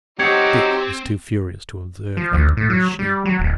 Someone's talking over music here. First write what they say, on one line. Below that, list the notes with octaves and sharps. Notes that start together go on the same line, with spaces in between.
Dick was too furious to observe that "she."
F#3 C4 D#4 F#4 G4 G#6 C#7
F3
D2
A2
F#3
G3
F#3
D1